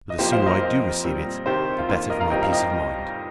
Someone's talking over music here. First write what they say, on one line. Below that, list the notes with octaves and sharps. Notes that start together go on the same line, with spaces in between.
But the sooner I do receive it the better for my peace of mind.
D#5
F2 F3 A#3 G4 C5
C5 F5
A#4 D#5
F2 F3 C4
A#2 G3 C4
C3 D#3 C4 G4 C5
F4
F2 D#3 A#3 F4
A#4 D#5
F5 A#5
F2 D#3 G3 C4 D#5 G5
F5 A#5
D#5 G5